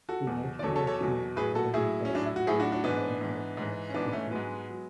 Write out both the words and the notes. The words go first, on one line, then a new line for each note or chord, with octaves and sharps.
The international touring festival, however, has continued.
F#4 A4
E2 B2 F#3
D5
E2 B2 F#3 A4 C#5
A4 C#5
A4 C#5
E2 B2 F#3
A2 F#3 G#4 B4
F#4 A4
A2 F#3 E4 G#4
C#4
A2 F#3 D4
E4
F#4
A2 F#3 E4 G#4
D4 F#4
D4 F#4
G#2 E3 B3 D4
G#2 E3
G#2 E3
C#4
G#2 E3 B3 D4
B3
A3 C#4
G#2 F#3 G#3 B3
F#3